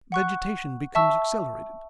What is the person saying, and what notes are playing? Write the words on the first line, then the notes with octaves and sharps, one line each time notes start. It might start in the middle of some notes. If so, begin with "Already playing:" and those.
Vegetation becomes accelerated.
F#5 C#6 F#6
E5 A5 C#6 E6